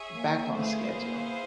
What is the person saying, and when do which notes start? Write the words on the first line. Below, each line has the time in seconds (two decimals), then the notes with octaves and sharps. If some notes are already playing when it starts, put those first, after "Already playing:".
back on schedule.
Already playing: G#4 C#5 E5 G#5
0.15 A#3
0.54 A3 B3 E4 G#4 C5 F5
0.94 A#3